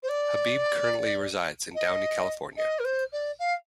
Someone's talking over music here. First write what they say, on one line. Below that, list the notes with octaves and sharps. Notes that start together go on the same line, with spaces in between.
Habib currently resides in Downey, California.
C5
D5
D#5
D#5
A#4
C5
D5
F5